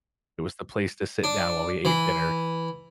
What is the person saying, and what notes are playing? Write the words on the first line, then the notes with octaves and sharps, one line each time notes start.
It was the place to sit down while we ate dinner.
D4
E3